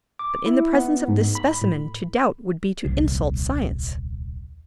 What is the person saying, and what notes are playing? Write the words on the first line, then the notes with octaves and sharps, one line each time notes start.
But in the presence of this specimen to doubt would be to insult science.
D6
E4
B3
G#2
B5
A2
D#1 C2